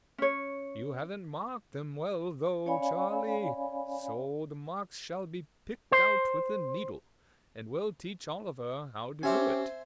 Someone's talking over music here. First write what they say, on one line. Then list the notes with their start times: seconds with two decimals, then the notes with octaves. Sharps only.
You haven't marked them well, though, Charley; so the marks shall be picked out with a needle, and we'll teach Oliver how to do it.
0.18 C#4 C#5
2.66 C#4 C#5 D5 F5 G#5 B5
5.92 C5
9.23 C4 C#4 G4 C5 E5 G#5